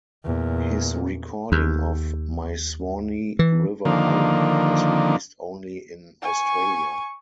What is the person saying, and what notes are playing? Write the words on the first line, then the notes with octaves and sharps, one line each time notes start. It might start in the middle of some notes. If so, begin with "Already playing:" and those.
His recording of "My Swanee River Home" was released only in Australia.
E2 A#2
D#2
E3
D3 D#3 F3 A#3
G#5 C#6